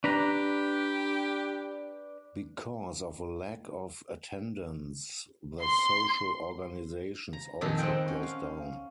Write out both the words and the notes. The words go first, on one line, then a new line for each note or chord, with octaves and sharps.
Because of a lack of attendance, the social organizations also closed down.
D4 G4 B4 A#5
C6
A#5
F2 A#2 D#3 G#4 A4
C4 D#5 F#5 G5
C#4
F5